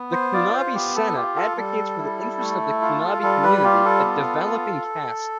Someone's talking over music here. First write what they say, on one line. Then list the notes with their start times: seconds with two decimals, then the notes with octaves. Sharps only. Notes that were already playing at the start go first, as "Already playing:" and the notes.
The Kunabi Sena advocates for the interests of the Kunabi community, a developing caste.
Already playing: B3
0.12 C5
0.33 F4 D5
0.54 C5
0.74 B3 G4
0.95 A4
1.16 F4 G4
1.36 A4
1.57 G3 A4
1.98 E4
2.40 A3
2.82 F4
3.23 G3 A4
3.43 B4
3.64 F4 G4
3.85 A4
4.05 B3
4.46 F4